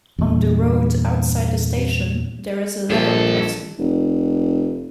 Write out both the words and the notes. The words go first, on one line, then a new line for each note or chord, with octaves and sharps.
On the road outside the station, there is a level crossing.
E2 G2 A#2
A#1 G2 A4
F1